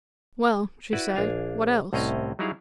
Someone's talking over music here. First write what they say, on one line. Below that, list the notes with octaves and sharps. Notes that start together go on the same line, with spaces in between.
"Well," she said, "what else?"
E4 F#4 B4 D5
A#1 D4 F5 G#5
C2 A2 C4 C#4 D#5 A#5
F#3 G3 D#4 E4 G#4 F5